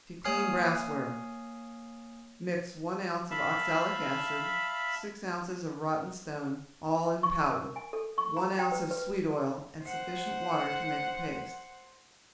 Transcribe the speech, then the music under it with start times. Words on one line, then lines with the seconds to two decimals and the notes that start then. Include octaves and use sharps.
To Clean Brassware.--Mix one ounce of oxalic acid, six ounces of rotten stone, all in powder, one ounce of sweet oil, and sufficient water to make a paste.
0.24 A#3 C#5 G#5 D#6 F6 C7
3.31 E5 F5 A5 B5
7.23 C#6
7.52 A#4
7.76 G#5
7.93 A4
8.18 C#6
8.37 A#5
8.59 G5
8.72 B4
8.91 B4
9.82 C5 F#5